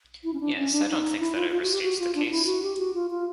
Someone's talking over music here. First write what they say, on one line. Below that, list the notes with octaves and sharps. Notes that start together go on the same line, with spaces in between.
Yes, I don't think that overstates the case.
E4
C#4
D4
C#4
D4
D#4
E4
F4
F4
F#4
G4
F#4
F4
D4
F4
E4
F#4
G4
F#4
F4
F4